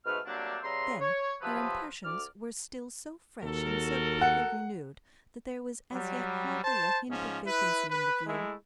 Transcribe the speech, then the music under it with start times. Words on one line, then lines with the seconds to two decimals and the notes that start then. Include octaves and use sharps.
Then her impressions were still so fresh and so quickly renewed that there was as yet hardly a hint of vacancy in the view.
0.05 G#2 B2 A3 B4 F6
0.26 F#3 G3 A3 A#3 C4 D4
0.63 C#3 G3 B4 E5 A#5 C6
1.00 C#5
1.42 C3 F3 F#3 B4
2.04 D2 D5 F6
3.43 D#2 F#4 A4 A#4
4.21 F#5
5.93 F#3 G3
6.64 C5 A5
7.09 G#2 F3 C#4
7.45 E4 B4
7.89 B4
8.26 G#3 A3 E4